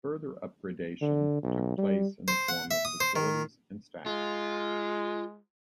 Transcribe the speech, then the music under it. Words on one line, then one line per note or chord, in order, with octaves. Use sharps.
Further upgradation took place in the form of facilities and staff.
D3
B1
G3
C5
F#5
E5
D#6
C5
D#3
G#3 F4